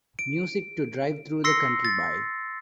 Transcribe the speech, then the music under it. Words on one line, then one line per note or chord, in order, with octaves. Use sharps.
Music to drive through the country by.
D7
C6 E6 A#6 C7 C#7
A6